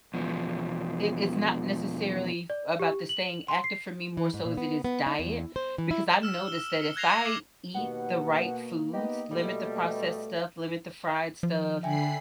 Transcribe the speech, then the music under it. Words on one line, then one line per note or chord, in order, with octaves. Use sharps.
It it's not, necessarily f about the staying active for me, more so as it is diet because I've noticed that if I eat the right foods, limit the processed stuff, limit the fried stuff,
E2 B2 F3
D5
G4
F#7
C6
C7
E3
G#2
A#2
B3
B3
D#4
E2
C5
E3
E4
E6 F6 E7
G7
E6 C#7
F#6 G#6 A#6 C7 F7 G7
G#6 A#6 C#7 F7
D6 C7 E7 F#7
D#2 B2 A#3 F#5
B3 D#4 G4 D#5
B2 G3 A3
F3
D3 E5 G5 G#5 B5 C7